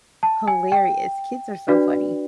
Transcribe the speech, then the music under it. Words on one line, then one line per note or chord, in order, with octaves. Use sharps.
Hilarious, kids are so funny.
A5
G#5
G5
D4 F#4 B4 D5